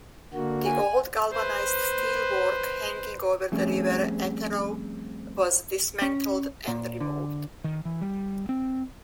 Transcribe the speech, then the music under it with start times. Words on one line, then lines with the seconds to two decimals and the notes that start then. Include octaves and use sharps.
The old galvanised steelwork hanging over the River Etherow was dismantled and removed.
0.34 D3 A#3 F#4
0.66 G#5
1.32 B4 C5
3.52 F3 G3 A3 C4 C#4 G#4
6.02 C#4
6.68 A#2
7.00 D3
7.64 D#3
7.85 E3
8.01 G3
8.49 C4